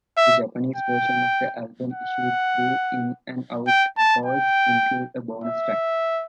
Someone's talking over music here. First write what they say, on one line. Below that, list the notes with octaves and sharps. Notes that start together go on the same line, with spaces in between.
The Japanese version of the album, issued through In-n-Out Records, includes a bonus track.
E5
G5
F#5
G5
A5
G5
E5